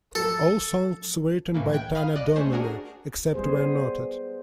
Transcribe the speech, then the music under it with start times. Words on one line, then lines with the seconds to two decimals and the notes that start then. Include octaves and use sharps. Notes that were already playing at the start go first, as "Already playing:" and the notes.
All songs written by Tanya Donelly, except where noted.
0.15 A4
1.54 C#2 A2 E3 A#3
1.73 G5 F#6 G#6
1.95 F5 B5 D#6 F6
2.15 C2 D5 D#5 F#6
2.36 A3 C#4 C5
2.52 D4 F#4 G#4 A#4
3.34 G3 B3 G#4 C5